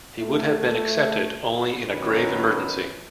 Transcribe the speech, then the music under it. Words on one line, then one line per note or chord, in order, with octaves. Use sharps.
He would have been accepted only in a grave emergency.
A3
B2 D#3 F#3 C#4 B4